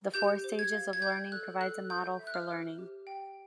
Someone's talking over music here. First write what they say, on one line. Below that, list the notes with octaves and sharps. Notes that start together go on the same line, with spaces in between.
The Four Stages of Learning provides a model for learning.
G4 G6
C5
G#6
F5
G#6
D5 G6
A4 F#6
A4 F#6
C5 G6
E5
F#6
F6
C5
G4
G5